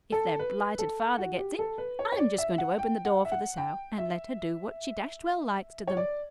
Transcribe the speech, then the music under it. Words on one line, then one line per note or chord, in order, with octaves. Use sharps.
If their blighted father gets in, I'm just going to open the door for the sow, and let her do what she dashed well likes to them.
A4
B4
A4
F#4
G4
A4
B4
C#5
C#5
D5
E5
F#5
G5
F#5
E5
F#5
G5
E5
C#5
D5